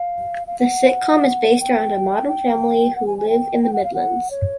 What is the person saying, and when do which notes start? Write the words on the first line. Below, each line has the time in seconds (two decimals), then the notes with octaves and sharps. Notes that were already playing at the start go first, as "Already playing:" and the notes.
The sitcom is based around a modern family who live in the Midlands.
Already playing: F5
0.47 F5
0.59 F#5
1.60 G5
2.28 G5
2.96 F#5
3.07 G#5
3.18 G#5
3.29 G5
3.63 G5
3.73 F#5
3.84 F5
3.94 F#5
4.31 C#5